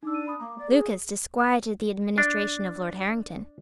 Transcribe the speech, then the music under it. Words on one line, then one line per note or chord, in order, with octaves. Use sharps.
Lucas disquieted the administration of Lord Harrington.
D4 D#4 D6 E6
D#7
B5 D#6
A#3 A#5 D6
D5
G#4
D4